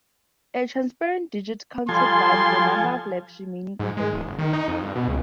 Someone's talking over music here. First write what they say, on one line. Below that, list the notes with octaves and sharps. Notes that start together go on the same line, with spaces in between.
A transparent digit counted down the number of laps remaining in the race.
F3 G3 A4 G#5 C6
G#2
G#3
D1
F#1
D#3
D#4
F2
G2
B2
C#2